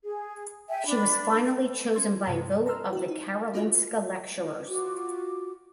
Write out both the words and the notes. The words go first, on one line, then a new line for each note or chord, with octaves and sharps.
She was finally chosen by vote of the Karolinska lecturers.
G#4
E5 G5 G#5
D4 B5
C#4 C6 G#6
G2 C3
A5 A#5 C6 E6 F6
E4 F#4
D#4
A#3 D4 F4 F#4 B4
F4 F#4 D6